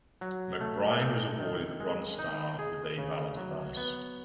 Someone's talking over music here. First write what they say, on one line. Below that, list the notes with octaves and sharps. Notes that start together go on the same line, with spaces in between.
McBride was awarded a Bronze Star with a Valor device.
F#3
A3
D#4
D#3
G#3
D#4
G#4
C#3
F#3
B3